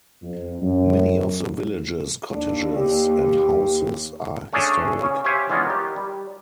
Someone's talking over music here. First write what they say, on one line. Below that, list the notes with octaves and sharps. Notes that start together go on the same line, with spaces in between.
Many of the village's cottages and houses are historic.
F2
F#2
D#2 D4
G4
A3 C#4 D4 G#4 A4 C#5
C#3 C#4
G4 C5 C#5 E5 F5 G#5
E3 G#3 B3 C#4 D4 F4
D#3 G4
G3